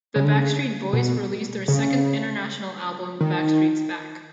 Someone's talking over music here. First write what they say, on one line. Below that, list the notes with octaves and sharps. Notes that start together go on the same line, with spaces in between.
The Backstreet Boys released their second international album Backstreet's Back.
C#3
D3
C#3
B2
C#3
D#3